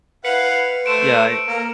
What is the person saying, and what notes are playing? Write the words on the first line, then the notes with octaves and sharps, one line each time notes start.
Yeah, I
E4 B4 F5 F#5 C#7
A3 C5 D7 E7
A#3 A#4